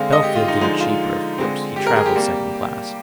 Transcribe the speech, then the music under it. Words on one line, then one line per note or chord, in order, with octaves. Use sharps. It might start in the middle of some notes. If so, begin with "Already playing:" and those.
Bellfield did it cheaper, of course; he travelled second class.
Already playing: D3 G#3 C4 F5
D#5
G4
F4
D#4
D3 F3 G#3 D#4
F4
D3 G#3 C4
G4
A#4
G#4
G4
C3 G3 A#3